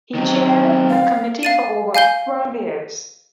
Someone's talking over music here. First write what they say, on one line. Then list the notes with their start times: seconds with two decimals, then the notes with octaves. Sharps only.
He chaired the committee for over twelve years.
0.15 D#3 F#3 C4
0.90 F5
1.43 F5 A6 D#7
1.94 F5 G#5 G6 G7